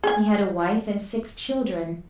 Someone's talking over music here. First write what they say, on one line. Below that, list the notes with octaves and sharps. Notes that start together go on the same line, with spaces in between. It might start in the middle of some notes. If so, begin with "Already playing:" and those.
He had a wife and six children.
G#4 G#5